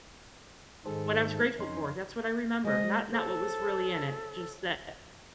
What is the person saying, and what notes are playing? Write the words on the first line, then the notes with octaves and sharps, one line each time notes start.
what I was grateful for. That's what I remember. Not not what was really in it. Just that
G#2 D#3 G#4 A4 C5
F2 C#4 D#4 C6
G#3 C5 D#5
A4 C5 C#5